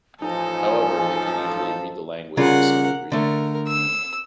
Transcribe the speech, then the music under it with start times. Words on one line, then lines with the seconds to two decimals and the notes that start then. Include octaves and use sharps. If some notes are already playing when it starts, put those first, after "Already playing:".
However, they can usually read the language to some degree.
0.22 A1 F3 D#4 A4 G#5
2.37 C#3 G3 F4 A#4 F#5
3.12 D3 A3 A#4
3.68 E6